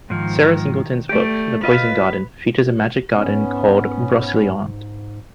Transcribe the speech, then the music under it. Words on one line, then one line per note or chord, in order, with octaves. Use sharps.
Sarah Singleton's book "The Poison Garden" features a magic garden called Broceliande.
G#2 D#3 F3
A3 G4 D5
F4 B4 D#5 F5
G#2 B3 C#4